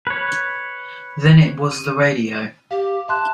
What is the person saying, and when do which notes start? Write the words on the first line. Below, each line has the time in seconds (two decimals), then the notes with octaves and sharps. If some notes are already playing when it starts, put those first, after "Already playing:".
Then it was the radio.
0.07 B4 C#5
1.71 D#7
2.71 G4 F5
3.08 E5 A5 C6 F#6